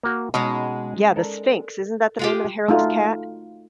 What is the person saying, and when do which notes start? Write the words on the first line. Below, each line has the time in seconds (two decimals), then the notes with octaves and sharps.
Yeah, the Sphinx, isn't that the name of the hairless cat?
0.03 A#3 F#4
0.34 B2 G#3 C#4 D#4
1.16 A4 A#4 D5
2.19 G#3 F4 G4
2.68 A3 D#4 F4 F#4